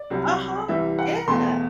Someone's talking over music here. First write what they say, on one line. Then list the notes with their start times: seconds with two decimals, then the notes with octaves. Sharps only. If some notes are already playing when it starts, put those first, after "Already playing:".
Uh-huh, yeah.
Already playing: D5
0.10 C2 C3 F#3
0.68 C2 C3 E3 G3 E5
0.99 F#5
1.28 E2 B2 A3 C6